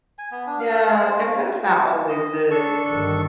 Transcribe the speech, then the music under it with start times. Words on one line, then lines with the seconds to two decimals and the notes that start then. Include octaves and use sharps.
Yeah, and that's not always good.
0.19 G#5
0.31 B3
0.47 D4
0.59 F5
0.74 A#4
0.88 F5
1.01 C5
1.17 A3
2.08 D#5
2.51 D4 A4 C#6
2.90 G1 D#3